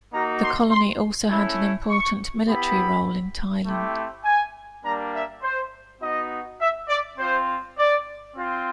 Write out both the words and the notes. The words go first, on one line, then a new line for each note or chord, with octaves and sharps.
The colony also had an important military role in Thailand.
A#3 D#4 F#4 A#5
C6
C6
A3 C#4 E4
C#6
B3 E4 G4 B5
A3 C4 E4 G4
G#5
G3 A#3 D4 A#5
E5
C5
B3 D#4 F#4 D#5
E5
D5
C4 F4 C5
D5
C4 F4